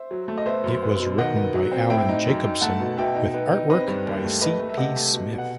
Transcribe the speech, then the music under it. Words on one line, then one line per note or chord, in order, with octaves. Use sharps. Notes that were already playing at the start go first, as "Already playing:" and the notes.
It was written by Allan Jacobsen with artwork by C. P. Smith.
Already playing: C5 E5
F#3
A3
D#5
B3 C5 E5
F#2
B3
B2
D#3 D#5 F#5
B3
F#3
C4
A2 E5 G5
D#4
F#2
D#4
A3 F#5 A5
B2
B2 E5 G5
D#4
B3
D#4
C4 B4 D#5
G2
D#2
A3
A3 B4 D#5
A3
E5
C3 D#5 F#5
A3
B2
B2
F#5